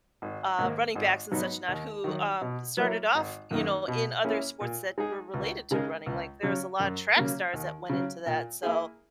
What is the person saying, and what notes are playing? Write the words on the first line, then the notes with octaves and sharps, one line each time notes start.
uh, running backs and such not who, um, started off, you know, in other sports that were related to running, like, there's a lotta track stars that went into that, so,
G#1
G#2 D#3 A#3
G#1
G#2 F#3 B3 D#4
D#2
D#3 F#3
B2
F#3 A#3 E4 A#4
G#1
F#2 D#3 A#3 D#4
B2
A#3 C#4 E4 G#4
A#2
G#3 D#4 G#4
C#2
C#3 G#3 D#4 A#4
C#2
C#3 F#3
F#2
C#3 F#3 A#3
D#2
C#3 F#3
A#2
A#3 E4 G#4